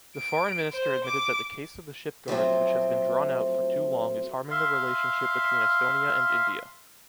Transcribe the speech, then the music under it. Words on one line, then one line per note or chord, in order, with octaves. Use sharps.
The Foreign Minister admitted that the case of the ship guards which has been drawn out for too long is harming the relationship between Estonia and India.
D7
C5
D6
F3 F#3 A3 C4
E5 F5 C6